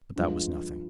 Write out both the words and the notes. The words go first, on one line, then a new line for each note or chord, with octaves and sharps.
But that was nothing.
G2 F3 G#3